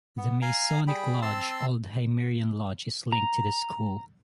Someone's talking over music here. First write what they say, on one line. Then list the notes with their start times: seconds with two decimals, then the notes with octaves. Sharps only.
The Masonic lodge Old Hymerian Lodge is linked to the school.
0.18 B3
0.42 F5 G#5 A#5
0.87 G3 G#4 G5 B5
1.22 C4 A5 C6 E6
3.12 A#5